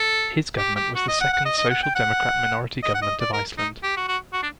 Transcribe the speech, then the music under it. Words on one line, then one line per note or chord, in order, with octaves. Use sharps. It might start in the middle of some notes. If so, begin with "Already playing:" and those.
His government was the second Social Democrat minority government of Iceland.
Already playing: A4
G4
G4
F#4
D#5
F#5
F#5
D#5
D#5
F#5
G5
F#5
D#5
F#5
D#5
D5
A#4
D#4
G4
F#4
F#4
F#4
D4